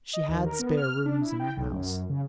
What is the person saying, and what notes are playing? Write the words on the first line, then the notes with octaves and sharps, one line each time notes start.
She had spare rooms in her house.
D#5
D#2
A#4
B3
F6
D4
E4
G5
B1
F#2
C#3